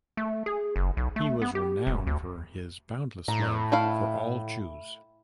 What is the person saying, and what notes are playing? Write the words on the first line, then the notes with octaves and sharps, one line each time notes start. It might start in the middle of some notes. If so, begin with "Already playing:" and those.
He was renowned for his boundless love for all Jews.
A3
G#4
F#1
B1
A3
B3
G4
D#1
D2
A2 A#5
A3 E4 F5